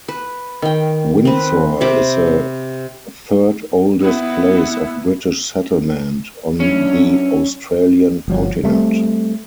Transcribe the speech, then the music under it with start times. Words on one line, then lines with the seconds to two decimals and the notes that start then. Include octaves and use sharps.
Windsor is the third-oldest place of British settlement on the Australian continent.
0.08 B4
0.62 D#3 G5
1.25 C4 B4
1.81 C3 C5 B5 D6
4.02 B3 E4
6.60 F#3 C#4 D4 E4
8.28 G1 F3 F#3
8.64 G3 A3 C4